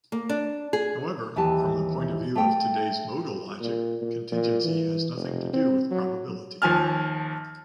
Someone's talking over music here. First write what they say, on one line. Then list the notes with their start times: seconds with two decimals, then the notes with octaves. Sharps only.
However, from the point of view of today's modal logic, contingency has nothing to do with probability.
0.12 A#3
0.29 D4
0.73 G#4
1.36 D#2 E3 E4 G4 A5
2.35 A3 G5
3.60 A#2
4.01 A#2
4.32 A#2
4.64 E3
5.15 F1
5.53 C4
5.91 F#3
6.62 D#2 F3 G#5 A5 F6